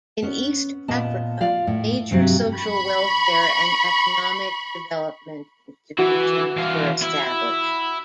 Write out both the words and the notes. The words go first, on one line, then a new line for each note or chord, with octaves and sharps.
In East Africa, major social welfare and economic development institutions were established.
B3 C#4
A#2 B3 D#5 A5
F4 D5 F5
A2
G2 C3 F#3
B5 C#6
E3 E4 F#4
E3 F5
E4